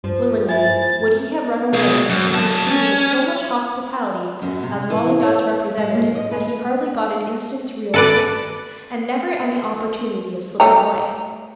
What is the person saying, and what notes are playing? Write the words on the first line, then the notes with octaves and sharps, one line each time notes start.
Willingly would he have run away; but he was treated with so much hospitality as Wali Dad's representative, that he hardly got an instant's real peace, and never any opportunity of slipping away.
G2 F3
E4 G#5 A6
B2 G#3
F#2
F#2 A5
C#4
F#2
C3
E3
C#5
G#3
A#3
D#5
B4
A4 B4 D5
A3 C#5 A#5